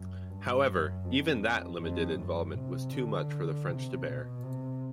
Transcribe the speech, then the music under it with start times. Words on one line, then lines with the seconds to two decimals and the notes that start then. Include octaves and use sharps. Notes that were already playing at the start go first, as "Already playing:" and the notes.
However, even that limited involvement was too much for the French to bear.
Already playing: F#2
0.29 G2
0.67 F#2
1.05 F2
1.80 F2
2.18 F#2
2.55 C3
2.92 D3
3.68 C3
4.06 B2
4.43 C3